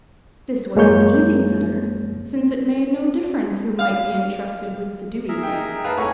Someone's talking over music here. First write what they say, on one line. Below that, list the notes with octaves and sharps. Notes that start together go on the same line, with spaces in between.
This was an easy matter, since it made no difference who might be entrusted with the duty.
F#2 G#3 A#3 C#5 G6
F5
G#4 A#4 E5
D#4 G5
B4 F5 A5 A#5
A2 A3 C#5 F#5 G#5